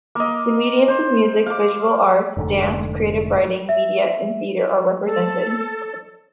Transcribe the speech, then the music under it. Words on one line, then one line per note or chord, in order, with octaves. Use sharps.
The mediums of music, visual arts, dance, creative writing, media and theater are represented.
A#3 D#5
C5
F5 D6
F1 G#2 D3 A3
E5
A4